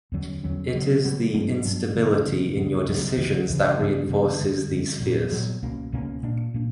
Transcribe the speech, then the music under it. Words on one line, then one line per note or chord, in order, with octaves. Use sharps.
It is the instability in your decisions that reinforces theses fears.
E2 D3 F#3 C#4
E2 D3 F#3 C#4
C#3 F#3 B3
C#3 F#3 B3
G2 F#3 B3 D4
G2 F#3 B3 D4
C#3 E3 B3
C#3 E3 B3
D2 C#3 F#3 B3
D2 C#3 F#3 B3
D2 C#3 E3
D2 C#3 E3
F#2 C#3 E3 B3
F#2 C#3 E3 B3
F#2 D3 G3
F#2 D3 G3
A#2 F#3 B3
A#2 F#3 B3
C#2 B2 A#3 C#4
C#2 B2 A#3 C#4
A#2 A#3 D4
A#2 A#3 D4